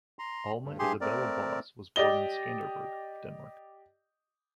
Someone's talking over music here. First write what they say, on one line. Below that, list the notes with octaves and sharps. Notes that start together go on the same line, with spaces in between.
Alma Isabella Bosse was born in Skanderborg, Denmark.
A#5 C6
G2
G2 G4 G#4 C6
A3 C4 A#4 D5
G4 D5 D#5 G7